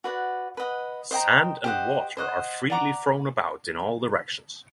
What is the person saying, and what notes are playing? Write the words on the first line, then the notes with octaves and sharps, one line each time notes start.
Sand and water are freely thrown about in all directions.
F#4 B4 D5 F#5
B4 D#5 F#5
C5 D#5 G5 A#5
G4 C5 D#5 F#5
C5 D#5 F#5
D5 F#5 A#5 D6